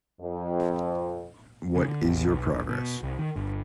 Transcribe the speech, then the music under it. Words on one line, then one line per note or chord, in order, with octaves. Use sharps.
What is your progress?
F2
C#3
D3
A1
B1
E1
B2
C2
D#3
G1